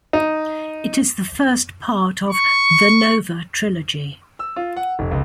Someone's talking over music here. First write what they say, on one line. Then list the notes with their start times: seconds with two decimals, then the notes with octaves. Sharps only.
It is the first part of "The Nova Trilogy".
0.13 D#4
2.31 C#6
4.39 E6
4.56 F4
4.76 F#5
4.99 F1
5.11 C#2